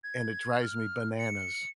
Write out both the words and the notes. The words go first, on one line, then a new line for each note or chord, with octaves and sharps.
and it drives me bananas.
G#6
F6
C#7